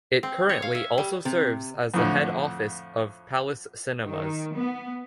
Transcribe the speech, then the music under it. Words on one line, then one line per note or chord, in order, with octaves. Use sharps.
It currently also serves as the head office of Palace Cinemas.
C4
C#5
F5
E5
G3
C3
F2 A2 D3
D#3
B3